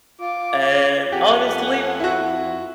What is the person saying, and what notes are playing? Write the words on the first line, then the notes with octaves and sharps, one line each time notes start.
And honestly,
F4 D6
F2 G4 F#5 G#5
E4 F#4